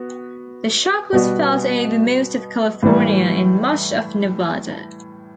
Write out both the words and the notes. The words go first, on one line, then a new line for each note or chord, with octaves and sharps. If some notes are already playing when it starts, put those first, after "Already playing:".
The shock was felt over most of California and much of Nevada.
Already playing: B3 F#4
B2 G3 B3 F#4
A2 E3 G3